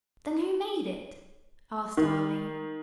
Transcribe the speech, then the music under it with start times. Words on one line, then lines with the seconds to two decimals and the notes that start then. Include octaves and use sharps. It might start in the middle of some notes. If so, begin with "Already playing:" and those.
"Then, who made it?" asked Arline.
1.97 D#3